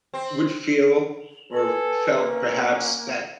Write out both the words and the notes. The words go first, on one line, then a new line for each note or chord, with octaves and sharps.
would feel or felt perhaps that
C4
A4 B4 G#5
A#3 C#4